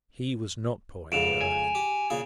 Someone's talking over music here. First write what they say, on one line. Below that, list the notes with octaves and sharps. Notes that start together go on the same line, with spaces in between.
He was not pawing the earth.
F2 G#2 C#3 D7 E7 F7
G#5
G4
A#2 C#3 G#4